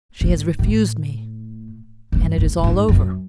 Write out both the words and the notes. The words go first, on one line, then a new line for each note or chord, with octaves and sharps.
"She has refused me, and it is all over."
G#2
A2
G2
G#2
A2
G#2
F#2